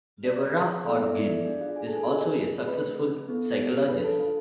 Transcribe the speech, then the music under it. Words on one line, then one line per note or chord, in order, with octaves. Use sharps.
Deborah Hodgkin is also a successful psychologist.
C4 G#4 D5
C5
C5
B3 E4 A4 D5
E4 E5
D5
D4 G#4 D5
F4 F5
G#4 G#5
A4 A5
G#4 G#5
C4 F4 G#4
A3 C4 G#4 B4 B5
B3 E4 A4
D4 A4 B4 B5
A4 A5
F4 F5